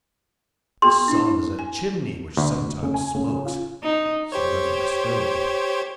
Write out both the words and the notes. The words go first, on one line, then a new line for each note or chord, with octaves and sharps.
The sun is a chimney which sometimes smokes; so does my stove.
B3 F#4 G#4 C6
D4 E4
G#5
D2
C#3
G#5
C#3
F4
D#4
G4 C5 C#5